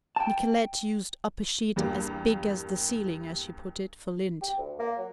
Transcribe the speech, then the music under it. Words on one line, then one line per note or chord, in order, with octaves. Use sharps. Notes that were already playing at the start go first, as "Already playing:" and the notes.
Nicolette used up a sheet "as big as the ceiling," as she put it, for lint.
G5 A5
E2 G2 G3 A#3
G4
D2
A#3
F#3